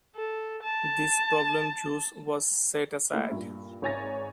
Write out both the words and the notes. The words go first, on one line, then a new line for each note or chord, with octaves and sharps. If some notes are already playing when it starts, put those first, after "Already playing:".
This problem juice was set aside.
A4
A5
A3 A#3 E4
G2 A#2
G#1 G#2 C#5 G#5 A6 A#6